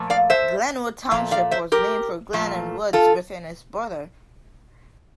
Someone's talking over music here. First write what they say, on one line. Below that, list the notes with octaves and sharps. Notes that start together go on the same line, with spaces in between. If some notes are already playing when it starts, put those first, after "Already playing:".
Glenwood Township was named for the glen and woods within its borders.
Already playing: A#2 F3 A3
D5 F5
C5 E5
A#2 F3 A3 F5
D5 F5
C5 E5
G4 A#4
A#2 F3 A3
F4 A4